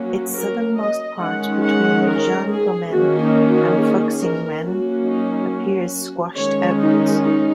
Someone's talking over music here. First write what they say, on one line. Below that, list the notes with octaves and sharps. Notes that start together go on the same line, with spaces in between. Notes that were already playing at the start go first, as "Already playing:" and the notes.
Its southernmost part between Jianguomen and Fuxingmen appears "squashed" outwards.
Already playing: F#3 A#3 C#4
A#4
D#5
D#3 G#3 C#4 F#5
F#5
A#4
G#4
D#3 A#3 C#4 F#4
D#4
F#4
G#4
A#4
F#3 A#3 C#4 F#4
D#4
F#4
D#3 G#3 C#4 C#5
D#4
D#4